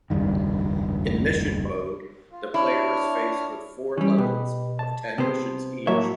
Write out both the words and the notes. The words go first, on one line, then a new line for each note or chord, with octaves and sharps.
In Mission Mode, the player is faced with four levels of ten missions each.
F1 C#2 G2 D#3
F4
D4 E4 C#5 F6
E3 G3 C#4
B2 G4 B4
A5
C3 B3 C5
A2 F#3 A#3 C#5 E5